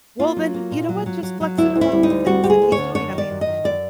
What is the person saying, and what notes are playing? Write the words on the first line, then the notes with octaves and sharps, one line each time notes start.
Well, then, you know what? Just flex it around the things that he's doing. I mean,
A#3 F4
F#3
A#3
A#2
F#3
F#3
F#3
F#3
D2 E4
D2
E4
G3
D#4
D2
G3 F#4
D2 G4
G#4
D2
C#5
D3
F#2 C#5
D#3
D5
F#2
D#5
D#3
F#2 D5